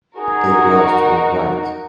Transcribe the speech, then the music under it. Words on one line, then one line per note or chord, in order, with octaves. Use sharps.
It grossed worldwide.
D#4 F#4 G#4 A#4